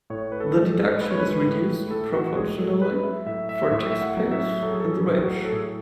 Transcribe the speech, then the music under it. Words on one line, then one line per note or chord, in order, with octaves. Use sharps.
The deduction is reduced proportionally for taxpayers in the range.
A2 C#5
B4
A4
G#3
A4
G#3 B4
C#5
B4
A2
A2 A4
F#4
G#3 G#4
A4
F#3 B4
E5
A2 E5
E5
A2 E5
E5
F#5
F#3
E5
F#3 A4
G#4
A4
G#4
A2
G#4
F#4
A4
A2 G#4